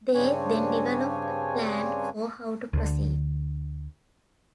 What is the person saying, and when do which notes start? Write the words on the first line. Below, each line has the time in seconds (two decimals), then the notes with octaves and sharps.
They then develop a plan for how to proceed.
0.15 G2 C#3 C4 D4 C#5 G#5
2.73 D2 D3